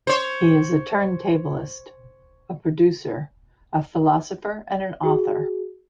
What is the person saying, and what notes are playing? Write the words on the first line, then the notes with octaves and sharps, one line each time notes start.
He is a turntablist, a producer, a philosopher, and an author.
C5 C#5
F#4 G#4